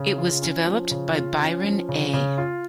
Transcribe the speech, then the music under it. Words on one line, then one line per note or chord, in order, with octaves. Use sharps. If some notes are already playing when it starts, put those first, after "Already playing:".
It was developed by Byron A.
Already playing: C#3
F4
C#4
F3
C#3
F4
C#4
F3
C#3
C#3
F4